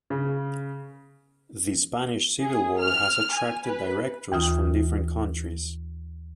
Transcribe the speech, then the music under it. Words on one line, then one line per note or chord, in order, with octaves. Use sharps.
The Spanish Civil War has attracted directors from different countries.
C#3
G#4
F6
G#5
B4
D#2 E3 F4 D#6